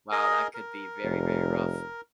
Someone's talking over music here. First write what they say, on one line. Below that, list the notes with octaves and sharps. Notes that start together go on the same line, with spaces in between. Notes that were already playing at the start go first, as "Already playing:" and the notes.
wow, that could be very, very rough.
G#4 A#4 D#5
A#4
F1